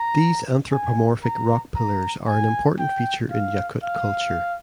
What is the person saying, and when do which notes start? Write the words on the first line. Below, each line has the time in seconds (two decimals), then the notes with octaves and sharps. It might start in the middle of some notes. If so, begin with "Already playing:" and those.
These anthropomorphic rock pillars are an important feature in Yakut culture.
Already playing: A#5
0.72 G#5
1.24 A#5
1.76 A#5
2.27 G#5
2.79 G5
3.31 F5
3.83 F5